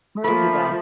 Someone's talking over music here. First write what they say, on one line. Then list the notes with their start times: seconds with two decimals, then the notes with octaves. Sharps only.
Where would you go?
0.24 F3 A3 A#3 B5